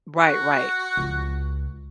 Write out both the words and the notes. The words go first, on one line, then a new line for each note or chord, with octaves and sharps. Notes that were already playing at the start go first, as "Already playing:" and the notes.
Right, right.
F#4
C#2